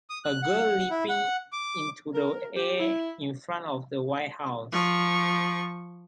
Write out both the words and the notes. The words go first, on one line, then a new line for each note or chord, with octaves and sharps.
A girl leaping into the air in front of the White house.
D#6
F#6
F#5
E4
F#5
D6
A#4
G4
E4
F3 C#6